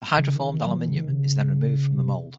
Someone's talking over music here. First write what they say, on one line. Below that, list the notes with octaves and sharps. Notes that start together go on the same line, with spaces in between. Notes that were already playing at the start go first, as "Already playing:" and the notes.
The hydroformed aluminium is then removed from the mold.
C#3
D#3
D#3
F#3
E3
C#3
E3
D#3
C3
C#3
C3